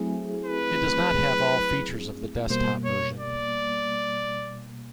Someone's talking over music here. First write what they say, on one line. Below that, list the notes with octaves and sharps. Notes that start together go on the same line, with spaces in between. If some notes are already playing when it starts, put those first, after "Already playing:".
It does not have all features of the desktop version.
Already playing: F#3 A3 C4 E4 G#4
B4
B2 G3 A#3 C5
C#5
D5